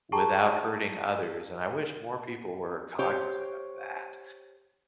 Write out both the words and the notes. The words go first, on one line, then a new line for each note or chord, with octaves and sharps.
without hurting others, and I wish more people were cognizant of that.
G#4 G5 A5 A#5 C#6
G4 C5 C#5